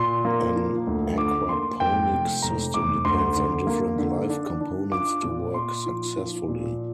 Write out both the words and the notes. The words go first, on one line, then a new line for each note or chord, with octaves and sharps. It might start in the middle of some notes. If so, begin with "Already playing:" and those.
An aquaponic system depends on different live components to work successfully.
Already playing: A#2 C6
A#3
F3
D2
D3 D6
A#3 C6
F2 G5
F1
F1 A#5
F1 D6
D2 C6
D3
A#3
D3
D4
D4
F4 D6
A#2
A#2 C6
F3
F3
A#2